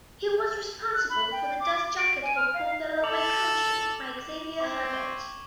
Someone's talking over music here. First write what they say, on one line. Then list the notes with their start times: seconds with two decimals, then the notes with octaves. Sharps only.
He was responsible for the dust-jacket for "Poor Fellow My Country" by Xavier Herbert.
0.94 F#6
1.10 B5
1.32 G5
1.60 D6
1.75 D6
1.98 D7
2.23 G#5
2.36 F6
2.54 F5
3.04 A4 D6 F7 F#7
4.60 C4 D6 G#6
4.93 C#6 D6 G7